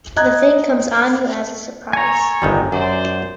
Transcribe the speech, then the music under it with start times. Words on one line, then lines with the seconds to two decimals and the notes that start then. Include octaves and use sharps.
The thing comes on you as a surprise.
0.17 D#5 A#5 F#6 G#6
1.93 A3 C#5 G#5 A#5 C#6
2.42 G1 D#3 G3
2.72 F#2 C5 D5